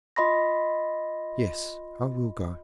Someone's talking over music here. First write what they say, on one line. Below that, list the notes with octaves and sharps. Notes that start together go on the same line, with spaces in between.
"Yes, I will go."
F4 D#5 B5 C6 A#6